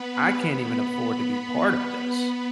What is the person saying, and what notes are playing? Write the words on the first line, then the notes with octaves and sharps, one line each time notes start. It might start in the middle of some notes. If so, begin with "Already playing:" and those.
I can't even afford to be part of this,
Already playing: B3 B4
B3 B4